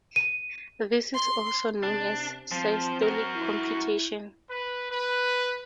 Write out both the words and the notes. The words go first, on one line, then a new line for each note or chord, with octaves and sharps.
This is also known as systolic computation.
D#7
C6
C3 D4
F3 C4
F#4 A#4
E4
B4
B4